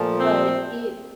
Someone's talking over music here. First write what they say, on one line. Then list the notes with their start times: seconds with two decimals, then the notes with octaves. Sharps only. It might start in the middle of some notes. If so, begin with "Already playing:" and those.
but it
Already playing: A#2 F3 A3
0.20 C4